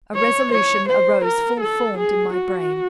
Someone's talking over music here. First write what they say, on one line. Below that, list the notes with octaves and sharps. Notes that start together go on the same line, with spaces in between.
A resolution arose full-formed in my brain.
C#5
C#5
C5
A#4
A4
G#4
F#4